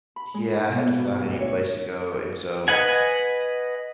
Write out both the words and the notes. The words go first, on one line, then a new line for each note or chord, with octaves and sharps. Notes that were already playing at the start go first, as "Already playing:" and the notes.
yeah, I had to find a new place to go, and so
B5
G#3
G#2
B3
B2
D2
C#5
B4 D#5 F#5 G#5